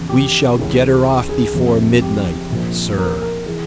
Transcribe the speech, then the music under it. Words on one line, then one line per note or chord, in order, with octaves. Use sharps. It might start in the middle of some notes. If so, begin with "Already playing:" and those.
"We shall get her off before midnight, sir."
Already playing: E2 C#3 F3
G4
C#2 C#3 E3
G#4
F1 F2 C3
G4
A#1 A#2 F3
A#4
A#4
E3 G#4